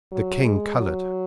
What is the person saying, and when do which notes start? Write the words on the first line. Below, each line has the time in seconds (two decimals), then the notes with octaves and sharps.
The king colored.
0.12 F#3
0.45 G#3
0.77 F#3